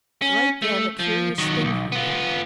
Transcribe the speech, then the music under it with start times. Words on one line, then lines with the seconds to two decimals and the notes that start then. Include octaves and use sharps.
Right then a curious thing happened.
0.22 C#4
0.62 A3
0.99 F3
1.38 D#3 F#3
1.65 B1
1.92 B3 F4